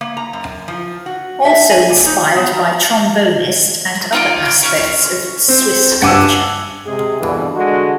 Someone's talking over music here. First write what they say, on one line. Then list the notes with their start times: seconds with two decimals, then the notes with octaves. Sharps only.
Also inspired by trombonist and other aspects of Swiss culture.
0.01 A#3
0.17 A#5
0.33 F#2
0.68 F3
1.06 F#4
1.45 E5
1.70 G#5
1.90 A#3
2.06 D#4
2.36 B3
2.53 A#5
4.13 D#4 F4 D5
4.63 C#4 C#6
5.48 C4
6.02 G2 F#5 G#5 D6 E6 F#6
6.86 C3 G#3 G#4
7.20 G2 B2 D3 E3
7.54 D3 G#3 F#4